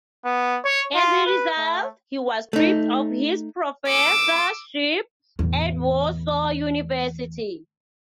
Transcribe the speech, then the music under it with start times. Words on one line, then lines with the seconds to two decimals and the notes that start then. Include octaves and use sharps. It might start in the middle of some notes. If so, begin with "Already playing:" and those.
As a result, he was stripped of his professorship at Warsaw University.
0.25 B3
0.65 C#5
0.95 F4
1.26 B4
1.58 A3
2.53 A3 D#4
3.88 D6 E6
5.39 E2 A2